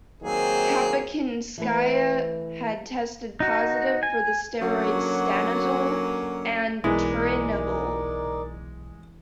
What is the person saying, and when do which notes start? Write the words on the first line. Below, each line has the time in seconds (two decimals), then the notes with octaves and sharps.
Kapachinskaya had tested positive for the steroids stanozol and turinabol.
0.22 D#3 F#3 A#3 C4 G#4
1.58 E3 A3 B4
3.40 D#4 F#4
4.03 G#5
4.61 D3 F#3 A#3 C#4 F#4
6.84 B1 B2 E3 G#3 D#4 A#4 D5